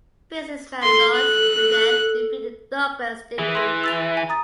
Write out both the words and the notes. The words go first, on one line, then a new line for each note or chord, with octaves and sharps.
Businessman Lloyd Winnecke defeated Douglas De Groot.
A4 C6
F#6
E3 G#4
C6 E6 A#6
E6 A6 F7
G#5
A#5 D#6 A6